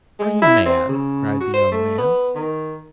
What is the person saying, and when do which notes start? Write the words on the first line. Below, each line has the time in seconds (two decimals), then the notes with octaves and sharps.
"Are you mad?" cried the young man.
0.20 G#3
0.42 E4
0.66 C4
0.89 C#3
1.40 F#4
1.54 C5
1.72 A3
1.98 B3
2.35 D#3